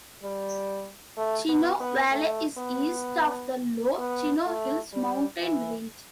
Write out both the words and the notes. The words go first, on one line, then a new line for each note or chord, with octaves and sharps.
Chino Valley is east of the low Chino Hills mountain range.
G3
A3
B3
B3
A3
B3
B3
A3
G3
E3